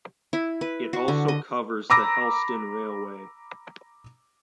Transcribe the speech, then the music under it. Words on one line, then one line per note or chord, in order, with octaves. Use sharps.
It also covers the Helston Railway.
E4
B4
F#4
D3
D#5
A#5 B5 D6 E6 A#6